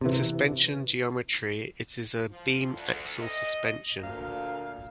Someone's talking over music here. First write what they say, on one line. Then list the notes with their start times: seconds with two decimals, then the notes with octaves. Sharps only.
In suspension geometry it is a beam axle suspension.
0.01 C3 E3
2.30 F3
2.74 D2
3.22 D#5
4.02 D2 A#2 F5